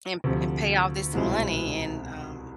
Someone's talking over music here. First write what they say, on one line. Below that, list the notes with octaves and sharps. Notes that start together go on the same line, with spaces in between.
And p and pay all this money and, um
D2 C3 F3
C2 B2 G#3 C4 E4